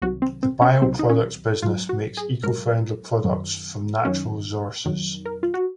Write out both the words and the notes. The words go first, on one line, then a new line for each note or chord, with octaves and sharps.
The bio-products business makes eco-friendly products from natural resources.
C2 C3 D#3 F#3 F#4
C4
C4
C#4
C2 C3 D#3 F#3 C4
D#4
C#4
G#2 F#3 F4
F#4
G#4
G#2 F#3 A#4
F#2 D#3 F#3
F#2 D#3 F#3 C#4
F2 D#3 F#3
A#4
F4
F#4